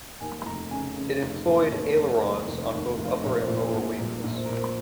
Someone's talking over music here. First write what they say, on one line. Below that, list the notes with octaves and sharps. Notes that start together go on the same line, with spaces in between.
It employed ailerons on both upper and lower wings.
D#2 G#5
F1 A#5
C#3 G#5
C#3
F1
D#2
D#2 C#5
F1
D#2
F1
D#2
F1
F5
D#5
A#1 C#5
C5
A#2
G#4
A#1
G#4
A#2 A#4
A#1
C5
A#2 A#4
C5